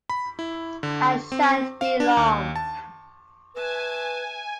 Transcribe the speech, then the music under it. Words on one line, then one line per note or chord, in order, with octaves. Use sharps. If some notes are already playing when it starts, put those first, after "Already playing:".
I shan’t be long.
B5
E4
D3
C4
F5
D4
D#2
A5
B4 E5 G#5 A5